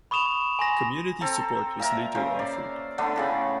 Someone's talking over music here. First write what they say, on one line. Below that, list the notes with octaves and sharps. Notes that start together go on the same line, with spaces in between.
Community support was later offered.
B5 C#6 D#6 E7 F7
G#5 C6 A#6
C4 A4 A#5
A#2 A#4 E5 A#5
C#3 C5
D5
D3 A3 B3 D4
A2 C#3 D5